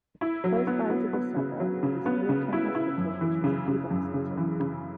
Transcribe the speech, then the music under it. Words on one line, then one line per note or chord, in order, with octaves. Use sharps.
Close by to the suburb, was "Brierton Hospital" which was a fever hospital.
E4
F#3
B3
B3
B3
C#3
F#3
C#3
B3
C#3
E4
E4
F#2
E3
C#3
C#3
F#2
C#3
E3
C#3